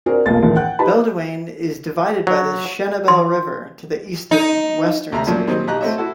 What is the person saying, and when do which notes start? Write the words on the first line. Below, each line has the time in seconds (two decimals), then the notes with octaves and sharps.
Beledweyne is divided by the Shebelle River into eastern and western sections.
0.06 C4 D4 F#4 G#4 A#4
0.26 F1 B1 G#3 A#3 F4 A6
0.42 F#1 C#2 A2 D#3 E3
0.55 F#5 G5 F#6
0.79 D#4 G4 B4 A5 B5
2.27 F#3
3.08 C6
4.31 D#4
5.12 D2 C3 A#5
5.27 F#2 A#2 F3 F#3 A3 D4
5.47 A#2 D#3 F#3 G3 C4
5.67 B1 G4 D#5 A#5 F#6
5.81 A3 C4 F#4 C#5 D#5 E5
5.98 E4 F#4 A4